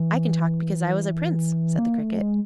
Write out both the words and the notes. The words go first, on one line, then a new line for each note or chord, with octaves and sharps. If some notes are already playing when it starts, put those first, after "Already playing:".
'I can talk because I was a Prince,' said the Cricket.
Already playing: E3
A#3
A3
G#3